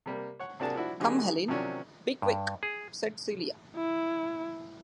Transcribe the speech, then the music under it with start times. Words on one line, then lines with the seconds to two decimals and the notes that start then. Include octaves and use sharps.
"Come, Helene, be quick," said Celia.
0.06 C3 G3 A#3
0.39 C#5 F#5
0.60 C3 A#3 D4 F#4 G#4 A5
0.75 F3 D4 E4 F#4
1.00 D3 F#3 A#3 D#4 G4 G#4
1.48 C3 D#3 F3 F#3 C#4 D4
2.22 G2
2.63 G#4
3.76 E4